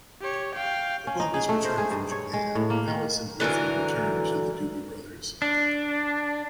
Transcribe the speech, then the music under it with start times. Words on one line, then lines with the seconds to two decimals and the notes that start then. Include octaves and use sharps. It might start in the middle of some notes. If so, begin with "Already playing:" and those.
Upon his return from Japan, Allison briefly returned to the Doobie Brothers.
0.21 G4 C#5
0.55 F5 G5
1.07 C#4
1.20 D#4
1.34 G#4
1.49 A3
1.64 C5
1.78 G#4
1.91 G2
2.12 C#5
2.33 G#3
2.55 A2
2.70 A#3
2.88 D#3
3.40 D3 E3 F#3 A#4
5.42 D4